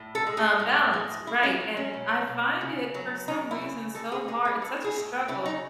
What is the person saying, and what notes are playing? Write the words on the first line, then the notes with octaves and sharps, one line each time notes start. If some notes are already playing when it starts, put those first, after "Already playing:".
Um balance, right, and I find it, for some reason, so hard it's such a struggle
Already playing: A2
A4
G#3
G#4
A2
G#3
A3 E4
C#4
F#3
C#4
B2
B2
C#3
F#3
C#3 D#4
E4
C#3
G#3 A4
G#4
G#3 G#4
B4
G#3 A4
G#4
A2
C#3 E4
D#4